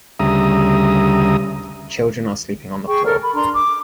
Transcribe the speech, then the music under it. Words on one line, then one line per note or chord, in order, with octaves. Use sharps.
Children are sleeping on the floor.
D2 C#3 G3 E5 A#5 D#6
G#4 G5 C#6
A4 A#4 F6
B5
D4 A#5 C6
D6